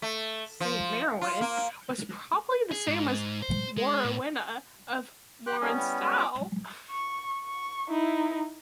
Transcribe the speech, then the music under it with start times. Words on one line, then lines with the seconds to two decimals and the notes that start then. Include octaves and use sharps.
Saint Marwenne was probably the same as Morwenna of Morwenstow.
0.02 A3
0.60 F3
1.21 F4
1.41 A#3
2.72 G#4
2.87 G#2
3.42 C5
3.77 G#3
4.05 A2
5.47 G4 G5 C6 F#6
5.61 G3 B3 C#4 D#4 A4 G#5
5.76 E4 G4
5.99 G#3 F#4
6.17 F4 D6
6.90 C#6
7.44 C#6
7.89 D#4 E4